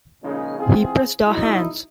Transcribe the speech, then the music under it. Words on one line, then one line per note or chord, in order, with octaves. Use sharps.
He pressed our hands.
A#2 C#3 F3 G#3 C#4 D#4
E2 C4 F4 G#4
B1 D#4 E4